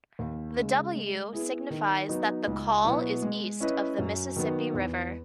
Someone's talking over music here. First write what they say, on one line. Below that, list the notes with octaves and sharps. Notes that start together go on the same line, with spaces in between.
The W signifies that the call is east of the Mississippi River.
D#2
C#3 G#3
G#3
B3 E4 G#4
D#3
F#3 B3 D#4
C#2
B2 F#3 B3 E4
G#3
C#4 E4 B4 D#5
F#2
D#3 F#3 B3
E2